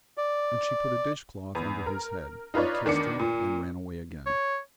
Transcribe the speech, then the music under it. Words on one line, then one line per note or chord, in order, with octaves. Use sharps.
And she put a dish-cloth under his head, and kissed him, and ran away again.
D5
E2
A#4
D#4 F4 B4 C#5 D5
E2 D#3 D4 D6 C#7
A#2
C#5